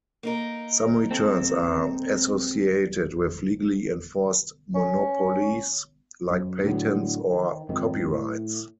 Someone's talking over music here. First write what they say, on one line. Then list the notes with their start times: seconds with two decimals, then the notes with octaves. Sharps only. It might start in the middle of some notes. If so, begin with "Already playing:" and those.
Some returns are associated with legally enforced monopolies like patents or copyrights.
0.23 A#3 D#4 A#4
1.11 C4 A4
4.75 C#4
6.30 F#2
6.64 A2 D3 D#3 F#3
7.33 D#3
7.69 F2 G#2 D#3
8.08 A2